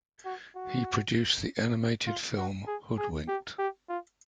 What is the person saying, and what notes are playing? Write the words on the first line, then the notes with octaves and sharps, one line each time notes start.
He produced the animated film Hoodwinked!
F#4
F#4
F4
F#4
G#4
G#4
G4
G4
F4